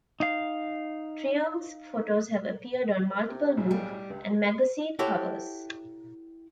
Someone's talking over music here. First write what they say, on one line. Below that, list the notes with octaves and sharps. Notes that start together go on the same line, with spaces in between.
Truong's photos have appeared on multiple book and magazine covers.
D#4 F5
C3
B1 A2 C#3 E4
G3
C#2 G2
E4 F#4 G4 A4 C#5